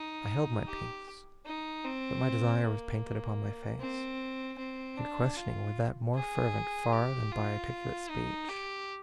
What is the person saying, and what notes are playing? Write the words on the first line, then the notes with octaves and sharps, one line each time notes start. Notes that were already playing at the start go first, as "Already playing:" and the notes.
I held my peace; but my desire was painted Upon my face, and questioning with that More fervent far than by articulate speech.
Already playing: D#4
G4
D#4
C4
A#3
C4
C4
D4
F4
G#4
G4
F4
D#4
G4